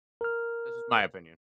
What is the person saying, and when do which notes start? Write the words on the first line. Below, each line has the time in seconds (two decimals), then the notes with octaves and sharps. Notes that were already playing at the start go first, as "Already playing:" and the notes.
That's just my opinion.
0.21 A#4 F6